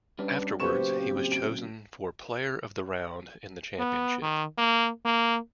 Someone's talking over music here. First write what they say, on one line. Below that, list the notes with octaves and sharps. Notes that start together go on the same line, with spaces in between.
Afterwards, he was chosen for player of the round in the championship.
G3 C#4 D4 B4
A#2 C#3 F#3 B3 G4 C5 C#6 E7
C4
D7
B3
D#3
A#3
A#3